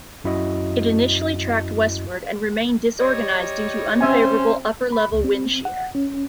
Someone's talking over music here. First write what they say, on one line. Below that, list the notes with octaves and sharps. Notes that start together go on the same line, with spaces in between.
It initially tracked westward and remained disorganized due to unfavourable upper-level wind shear.
F#2 E4 F#4 D#5
G3 C#5 D#5
C4 C#4 C5 E5 G#5
B5
C#2
C4
F#5
C#4